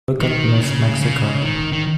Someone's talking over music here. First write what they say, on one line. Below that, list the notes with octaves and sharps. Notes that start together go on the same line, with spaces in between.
Look at Miss Mexico.
D#3
C#3
C#3
D#3
D#3